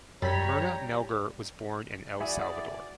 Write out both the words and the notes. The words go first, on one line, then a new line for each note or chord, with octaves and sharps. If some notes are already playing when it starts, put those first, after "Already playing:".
Myrna Melgar was born in El Salvador.
F#2 G3 C#5 A#5 B6
E4 F#4 G#4 D5 E5